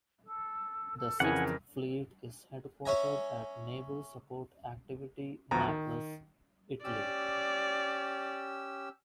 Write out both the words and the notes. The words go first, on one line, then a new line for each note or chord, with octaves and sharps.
The Sixth Fleet is headquartered at Naval Support Activity Naples, Italy.
A4
A4
F2 C#3 E3 A#4 F#5 G#5
C#4 C#5 E5 G#5 A#5
A1 D2 F3 B3 F#4 A#5
D#3
C#4 G4 D5 E6